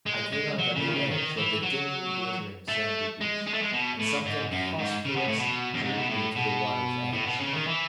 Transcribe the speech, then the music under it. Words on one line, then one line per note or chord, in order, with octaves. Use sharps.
I came out on the edge of the dimly glittering sandy beach, and something phosphorescent drew me to the water's edge.
G#3
G#3
F#3
C#3
D#3
C#3
D#3
E3
F#3
A3
G#3
G#3
A3
G#3
B2
A2
G#2
F#2
G#2
C#3
B2
A2
B2
F#2
G#2
B2
A2
B2
A2
B2
C#3
D#3
E3